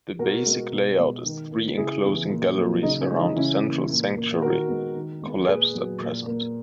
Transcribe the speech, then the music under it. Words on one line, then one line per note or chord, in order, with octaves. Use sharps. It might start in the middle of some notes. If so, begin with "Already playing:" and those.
The basic layout is three enclosing galleries around a central sanctuary, collapsed at present.
B2 F#4 A#4
G#3 B3
B2
G#3 B3
D#3
A#3
C#3 E4 G#4
E3 B3
A#2
F#3 A#3
C#3 D#4
C#4
E3 G#3
D#4
C#3 C#4 E4
E3 A#3
A#2
A#3
D#3 F#4 A#4
G#3 B3
D#3
G#3 B3
A#2 G#4 B4
F#3 B3
A#2
A#3